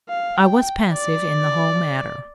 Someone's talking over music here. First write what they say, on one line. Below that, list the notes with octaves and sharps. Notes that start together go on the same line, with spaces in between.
I was passive in the whole matter.
F5
G5
D5